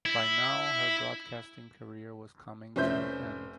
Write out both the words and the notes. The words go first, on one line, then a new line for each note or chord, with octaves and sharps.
By now her broadcasting career was coming to an end.
E4
F1 C#4 C5 E5 G6